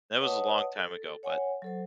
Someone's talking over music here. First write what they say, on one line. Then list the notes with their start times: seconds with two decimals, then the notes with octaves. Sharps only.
That was a long time ago, but,
0.19 B4 C#5 D#5 F#5 A5 D#6
0.76 A4
1.23 C#5 F#5 G#5
1.62 F#3 A4 C5